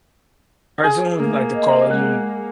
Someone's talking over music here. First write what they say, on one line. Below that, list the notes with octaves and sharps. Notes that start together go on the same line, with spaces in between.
cartoons is like the Call of Duty
G#4
A3 A#3
D#5
G#3 F#5